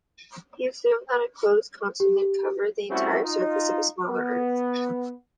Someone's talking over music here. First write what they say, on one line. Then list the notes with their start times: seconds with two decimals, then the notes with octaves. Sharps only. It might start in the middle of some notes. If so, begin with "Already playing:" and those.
He assumed that a closed continent covered the entire surface of a smaller Earth.
2.00 G4
2.90 G3 A3 C4 C#4 E4 F#4
3.24 D#4 F4
4.08 B3